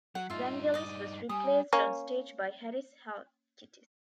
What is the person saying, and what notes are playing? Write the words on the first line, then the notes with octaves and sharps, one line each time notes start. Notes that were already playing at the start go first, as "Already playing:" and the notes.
Vangelis was replaced on stage by Harris Halkitis.
F#3 F#5
G2 D#4 F4 E5
D5 D#5
G3 G#5 D#6
A#3 C#4